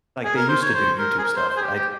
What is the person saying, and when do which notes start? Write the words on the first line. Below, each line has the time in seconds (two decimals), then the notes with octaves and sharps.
like, they used to do YouTube stuff, I'm
0.24 G#4
0.36 A#4
0.49 C5
0.62 C#5
0.74 C5
0.99 A#4
1.18 G#4
1.24 A#4
1.36 C5
1.49 C5
1.57 G#4
1.62 G4
1.74 G4